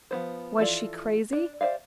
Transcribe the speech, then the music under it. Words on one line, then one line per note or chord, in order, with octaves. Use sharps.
Was she crazy?
F3 B3 C5
E3 F3 F4 A4 D5
D4
G4 C5 D5 E5 F5